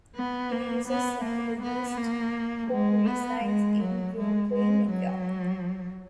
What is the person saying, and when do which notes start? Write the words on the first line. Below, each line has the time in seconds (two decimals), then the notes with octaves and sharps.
He is a Zen Buddhist who resides in Brooklyn, New York.
0.16 B3
0.52 A#3
0.88 B3
1.25 A#3
1.62 B3
1.97 A#3
2.71 G#3
3.07 B3
3.44 G#3
3.80 F#3
4.17 G#3
4.53 G#3
4.90 F#3